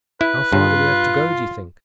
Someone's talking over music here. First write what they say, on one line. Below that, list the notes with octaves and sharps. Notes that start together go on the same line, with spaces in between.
"How far do we have to go do you think?"
E4 B4
G2 F4